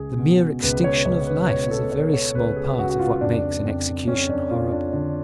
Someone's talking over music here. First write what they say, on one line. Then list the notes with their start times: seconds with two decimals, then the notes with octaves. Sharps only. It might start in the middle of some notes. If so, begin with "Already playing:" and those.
The mere extinction of life is a very small part of what makes an execution horrible.
Already playing: C#2 G#4
0.19 B2
0.62 C#2 B4
0.84 C#5
1.05 C#2 C#5
1.27 B4
1.48 B2 C#5
1.71 A4
1.92 C#2 C#5
2.13 C#5
2.35 C#2 B4
2.56 G#4
2.79 C#2 F#4
2.90 F#4
2.99 F4
3.21 F2 D4
3.65 F2
4.07 F2 C#4
4.30 D4
4.51 F2 F4
4.72 D4
4.93 D3 D4